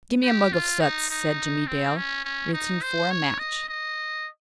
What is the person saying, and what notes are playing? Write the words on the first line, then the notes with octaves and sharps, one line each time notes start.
"Gimme a mug of suds," said Jimmie Dale, reaching for a match.
G4
F4
D#4
D#4
C4
C#4
C#4
D#4
C5
C#5
D#5
D#5